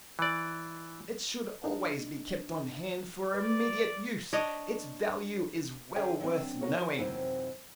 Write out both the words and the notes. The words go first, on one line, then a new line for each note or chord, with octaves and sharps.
It should always be kept on hand for immediate use. Its value is well worth knowing.
E3 D5
D4 D#4
B4 D5
D4 C#5 D#5
D3 C#4 G#4 G5 G#5
F#3 C4 D4
D#4 F#4 A#4 C#5
F#2 C3 E3 F#3 C4 D#4